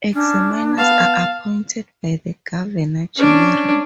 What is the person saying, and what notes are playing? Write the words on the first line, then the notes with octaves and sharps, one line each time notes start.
Examiners are appointed by the Governor General.
C#4 D4
B3 F5 A5
C#4 D4